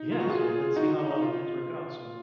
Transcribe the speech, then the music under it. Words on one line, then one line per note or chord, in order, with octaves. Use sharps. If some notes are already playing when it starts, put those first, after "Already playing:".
Yeah, so let's see how our things work out, so
Already playing: D#4
F4
F#4
F4 G#4
D#4 F#4
D#4
D#4
F4